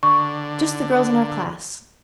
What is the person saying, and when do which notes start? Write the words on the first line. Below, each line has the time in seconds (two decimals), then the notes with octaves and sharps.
"Just the girls in our class."
0.03 D3 C#6